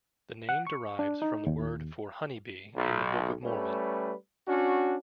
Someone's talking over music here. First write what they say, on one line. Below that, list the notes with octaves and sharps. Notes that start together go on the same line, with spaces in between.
The name derives from the word for "honeybee" in the Book of Mormon.
F#5
C#6
D4
D#4
D#2
B1
G3 A3 C#4 B4
C#4 D4 F#4